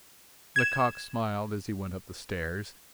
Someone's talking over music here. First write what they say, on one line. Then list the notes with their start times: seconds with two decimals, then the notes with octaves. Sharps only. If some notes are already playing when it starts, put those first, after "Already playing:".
Lecoq smiled as he went up the stairs.
0.56 G#6 E7